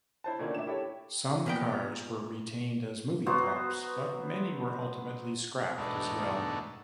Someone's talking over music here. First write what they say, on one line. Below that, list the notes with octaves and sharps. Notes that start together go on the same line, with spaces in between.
Some cars were retained as movie props, but many were ultimately scrapped as well.
E4 C5 A5
A#2 D3 D#3 A3 A#3 C#4
E5 D6 E7
E4 G4 A4 C#5
A#2 B3 G5
F#3 B3 F#4 C5
E2 G#2 B2 A3 D4 D#4